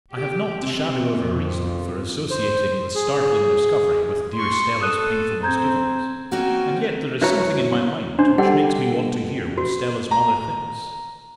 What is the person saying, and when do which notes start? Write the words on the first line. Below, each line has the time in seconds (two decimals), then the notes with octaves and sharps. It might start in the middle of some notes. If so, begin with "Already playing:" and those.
I have not the shadow of a reason for associating this startling discovery with dear Stella's painful misgivings--and yet there is something in my mind which makes me want to hear what Stella's mother thinks.
0.11 G4
0.60 C3
1.15 F2
2.30 C5
2.95 G#4
4.34 C6 C#6
4.81 A4 D#6 F#6 D#7
5.43 C4 A#5 G6 G#6
6.31 A#3 C4 C#4 D#4 F#4 A#4
7.21 F#2 E4 F#4 B4 C#5 A#5
8.19 D4 C5
8.38 G3 G4 A4 F#5
9.58 F#4
10.11 A#5